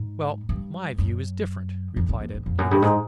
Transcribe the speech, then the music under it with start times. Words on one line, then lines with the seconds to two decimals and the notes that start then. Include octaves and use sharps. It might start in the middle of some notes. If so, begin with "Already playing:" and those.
"Well, my view is different," replied Edith.
Already playing: G#2
0.49 G2
0.98 F#2
1.96 F2
2.09 F2
2.21 F2
2.34 F2
2.46 F2
2.58 F#2
2.71 G2
2.82 G#2